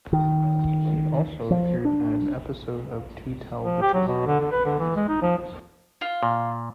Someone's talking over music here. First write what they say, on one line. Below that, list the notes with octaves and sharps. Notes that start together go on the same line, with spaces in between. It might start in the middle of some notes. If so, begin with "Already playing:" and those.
He also appeared in an episode of "To Tell the Truth".
D#3
F3
D4
F3
G4
F#3
B2
D3
D3
B4
D3
E3
G#3
D#4
F3
F4
A#2